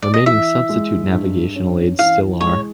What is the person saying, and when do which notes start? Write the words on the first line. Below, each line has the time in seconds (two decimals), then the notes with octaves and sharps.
Remaining substitute navigational aids still are.
0.02 D5
0.14 D#5
0.26 E3 E5
0.69 G#3
1.12 G2
1.56 C#4
1.99 E3 F5
2.41 G#3 C#5